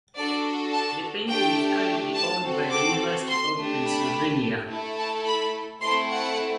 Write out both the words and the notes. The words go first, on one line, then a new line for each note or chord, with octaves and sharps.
The painting is currently owned by the University of Pennsylvania.
D4 F#4 A4 D5
A5
A3 D4 G4 G5
A5
C4 F#4 A4
D6
C6
A3 D4 G4
B5
A3 E4 A4
A5
B5
A3 C4 E4 C6
F#5